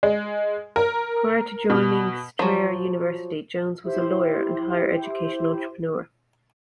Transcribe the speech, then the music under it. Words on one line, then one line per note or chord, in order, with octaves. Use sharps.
Prior to joining Strayer University, Jones was a lawyer and higher education entrepreneur.
G#3
A#4
B2
F3 F#3
E4 G4 C5